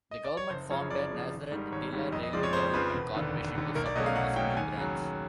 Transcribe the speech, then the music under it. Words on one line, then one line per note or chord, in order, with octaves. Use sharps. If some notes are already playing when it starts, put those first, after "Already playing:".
The government formed a Nazareth-Dilla Railway Development Corporation to support this new branch.
D#5
D5
C#5
F#1 C5
F#2 C#3 F3 C#5
F#1 D5
F#2 C#3 F3
G#1
G#2 D#3 G3
G#1 C#5
G#2 D#3 G3
F2 D#5
D#5
C#3 F3 G#3 C4 D5
C#5
F2 C5
C#3 F3 G#3 C4 B4
E1
D#2 D3
E1
D#2 D3
B1 A#4
D5
B2 F#3 A3 C#4 D#5
F5
B1 F#5
B2 F#3 A3 C#4 G5
D#2 G#5
C#3 F#3
D#2